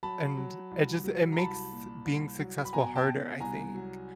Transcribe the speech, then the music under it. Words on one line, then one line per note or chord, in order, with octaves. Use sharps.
And it just it makes being successful harder, I think,
F#3 A5 B5
F#3
C2
F#3
A#5
C2 A5 B5
A#2
C2
F#3
B5
B2 G#5 A#5
G5 A5
B2
C2 G#5 A#5
F#3